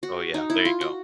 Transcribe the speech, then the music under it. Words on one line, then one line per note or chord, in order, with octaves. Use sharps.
Oh, yeah, there you go.
F#4
D#4
E4
F4
F#4